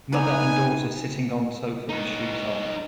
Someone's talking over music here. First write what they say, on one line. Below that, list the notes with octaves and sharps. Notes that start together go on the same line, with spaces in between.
Mother and daughter sitting on sofa with shoes off.
D#4 B4 G#5
D#4 B4